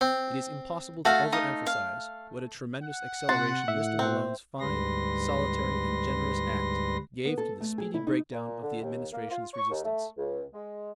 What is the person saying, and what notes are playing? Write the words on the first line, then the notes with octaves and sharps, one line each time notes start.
It is impossible to overemphasize what a tremendous acceleration Mr. Malone's fine, solitary and generous act gave to the speedy break-down of the Administration's resistance.
C4
A3 F#4 F5 A5
D#4 F5 D#6
F5
F#5
C3 F#4 C6 A6
A2 E5
C4
D2 G#2 G3 B4 C6 A#6
B3
A4
A3
G#4
E4
D#4
A#2
D3
D#2
A#3
F4
C#6
D#2
A3
C#2
G#3